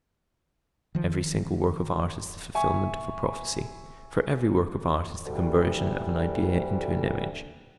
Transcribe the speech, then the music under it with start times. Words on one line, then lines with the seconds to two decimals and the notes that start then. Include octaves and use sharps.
Every single work of art is the fulfilment of a prophecy: for every work of art is the conversion of an idea into an image.
0.95 D#3 F3
2.55 E5 G#5 C#6
5.25 D2 E3 G3